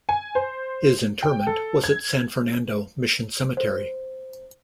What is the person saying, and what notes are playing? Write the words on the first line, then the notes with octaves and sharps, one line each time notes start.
His interment was at San Fernando Mission Cemetery.
G#5
C5
G5
A4
G#6
C5